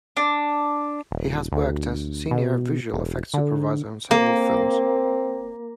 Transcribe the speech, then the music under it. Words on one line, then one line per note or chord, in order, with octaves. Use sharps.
He has worked as senior visual effects supervisor on several films.
D4
D#1
D2
B2
E1
D3
A#3 C4